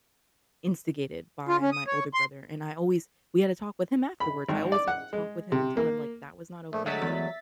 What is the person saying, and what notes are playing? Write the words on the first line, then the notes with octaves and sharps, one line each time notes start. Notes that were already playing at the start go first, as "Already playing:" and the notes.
instigated by my older brother, and I always we had to talk with him afterwards. I always have to talk with him and tell him, like, "That was not okay,"
F4
C#4
D#6
C#5
C6
B5
G#1
D5
F#5
G#3
C3
A#3
A#1 A3
F#3 G#3 A3 F#4 E5 A6 B6
E2